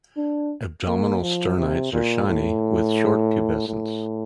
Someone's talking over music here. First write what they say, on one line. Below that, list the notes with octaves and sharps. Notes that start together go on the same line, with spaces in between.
Abdominal sternites are shiny with short pubescence.
D4
A#3
F3
C3
A#2
A2
A2